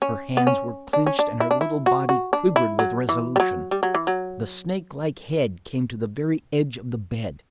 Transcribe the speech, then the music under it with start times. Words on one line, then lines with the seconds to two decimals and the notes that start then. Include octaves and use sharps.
Her hands were clenched and her little body quivered with resolution; the snake-like head came to the very edge of the bed.
0.02 C#4
0.37 B3
0.47 C#4
0.93 D4
1.06 C#4
1.19 D4
1.40 E4
1.51 D4
1.61 E4
1.86 F#4
2.09 F#4
2.33 D4
2.56 E4
2.79 F#3
3.09 E3
3.36 G3
3.40 F#3
3.71 G3
3.83 F#3
3.95 E3
4.07 F#3